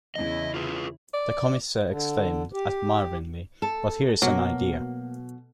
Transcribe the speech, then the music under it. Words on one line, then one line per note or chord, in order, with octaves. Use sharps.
The Commissaire exclaimed, admiringly, "But here is an idea!"
E2 C#3 E4 D#5
F4 G#4 B4
D5
D3
G4
A4
B2 F#3 A#3